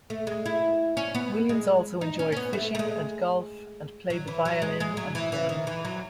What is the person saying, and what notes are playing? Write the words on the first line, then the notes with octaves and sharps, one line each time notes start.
Williams also enjoyed fishing and golf and played the violin and piano.
A3
G#3
E4
C#4
B3
G#3
D#4
C#4
C#4
B3
A3
A3
G#3
F#3
E3
F#3
G#3
G#3
F#3
E3
E3
D#3
E3
F#3